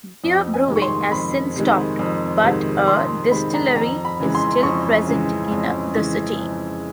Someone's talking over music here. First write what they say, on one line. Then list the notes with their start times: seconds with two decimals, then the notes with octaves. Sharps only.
Beer brewing has since stopped, but a distillery is still present in the city.
0.24 F2
0.54 G#5
0.68 C3 D#3 G#3
0.76 C#6
0.82 C6
1.12 F2 B5
1.56 C3 D#3 G#3
1.99 F2
2.43 C3 D#3 G#3
2.87 F2 C6
3.31 C3 D#3 G#3 B5
3.54 A#5
3.75 F2 A#5
4.05 B5
4.20 C#3 E3 G#3
4.35 C6
4.63 F2 C#6
5.07 C#3 E3 G#3
5.52 F2
5.95 C#3 E3 G#3
6.39 F2